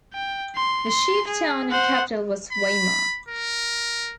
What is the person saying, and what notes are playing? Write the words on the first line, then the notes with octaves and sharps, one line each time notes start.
The chief town and capital was Weimar.
G5
C6
C6
G#4
C5 F#5
B5
A#4